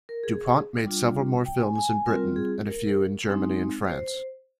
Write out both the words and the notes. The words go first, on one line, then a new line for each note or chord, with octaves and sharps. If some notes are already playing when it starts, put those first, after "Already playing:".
Dupont made several more films in Britain and a few in Germany and France.
A#4
G#4
G3 D4 F4
G5
G#5
G#5
G#5
G3 C4 F4 A#4
G#4
A#4
G#3 C4 D#4
C5